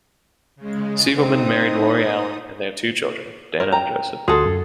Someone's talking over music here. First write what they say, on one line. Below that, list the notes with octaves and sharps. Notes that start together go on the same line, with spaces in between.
Siegelman married Lori Allen, and they have two children, Dana and Joseph.
C#3 G#3
C4 D#4 D#6
A#4
G5 A#5
D2 F#4 G#4 A4 C6
F#2